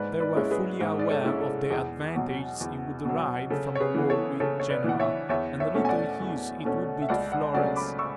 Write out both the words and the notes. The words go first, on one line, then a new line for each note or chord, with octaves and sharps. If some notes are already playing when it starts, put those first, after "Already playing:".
They were fully aware of the advantages he would derive from a war with Genoa, and the little use it would be to Florence.
Already playing: G#2 B4 D5
B4 D5
G#3 C#4 E4
G#4 B4
G#2
D5
A4 C#5
G#3 C#4 E4
A4
E2 G#4
B2 F#3
E2
B2 F#3
C#3 A4
C#5
G#4 B4
E3 B3
A4 C#5
C#3 A4 C#5
C#5
B4 D5
E3 B3 F#5
C#5 E5
E2 C#5 E5
C#5 E5
B2 A3 C#4
G#5
D5 F#5
E2
B2 A3 C#4
E5
C#2 D5 F#5
D5 F#5
C#3 F#3 A3 C#4 D5 F#5
B5 D6
C#6 E6